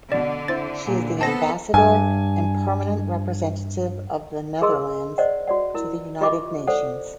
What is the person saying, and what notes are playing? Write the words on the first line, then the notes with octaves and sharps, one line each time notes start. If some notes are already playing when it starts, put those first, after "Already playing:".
She is the Ambassador and Permanent Representative of The Netherlands to the United Nations.
B2 D3 D5
C4 E4 C5 A6
A#2
B3 C4 A4 A5 A#6
G2 G#5
G#4 A#4 D#5 C6 E6
C5 D5 D#5 F#5
F#4 D5 F#5
E4 A#4
F4 G4 D#5 E5 C#6 D6
A4 C5 D5 F#5